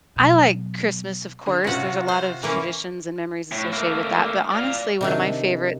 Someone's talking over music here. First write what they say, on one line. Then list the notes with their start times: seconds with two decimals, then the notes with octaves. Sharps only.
I like Christmas, of course there's a lot of traditions and memories associated with that, but, honestly, one of my favorite
0.16 B2 F#3
1.46 D3
1.64 C3 C#4 F4 F#4 C#7
2.08 C5
2.43 E3 A#3 C#4
3.52 A2
3.73 A3 A#3
4.52 D5 F5
5.01 C3 D#3 D4